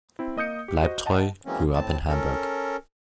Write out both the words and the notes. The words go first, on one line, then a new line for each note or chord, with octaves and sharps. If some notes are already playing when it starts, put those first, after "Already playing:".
Bleibtreu grew up in Hamburg.
C4 E4
A#3 D#5 D#6 G6 C#7
G4
F#4 C5 D#5
D#5 F#5 G5 A5
E3 F#3 G#3 A#3 C4 C#4
A2 C4 A5
C#4 A4 A#4